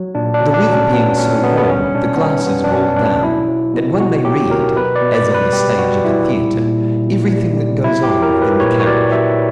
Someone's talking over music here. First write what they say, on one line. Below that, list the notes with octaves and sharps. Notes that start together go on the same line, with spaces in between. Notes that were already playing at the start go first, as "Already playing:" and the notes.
The weather being so warm, the glasses are all down; and one may read, as on the stage of a theatre, everything that goes on within the carriage.
Already playing: F#3
A#2 D4
D4
F#3
D4
F#3
C#4
F#3 B3
A#2 C#4
F#3 B3
B3
G3 C#4
B2 D4
B3
G3 C#4
G3 B3
D4
B2 C#4
B2 D4
F#3 E4
F#3
B2
B2 F#4
F#3 G4
F#3 A#4
B2 B4
D5
B2
D5
G3
B4
G3 G4
G3 F#4
G3 E4
A#2
A#2
G3
A#2
G3
G3
F#3 E4
G4
F#3
A#4
F#3
B4
A#2 C#5
C#5
F#3 D5
F#3 E5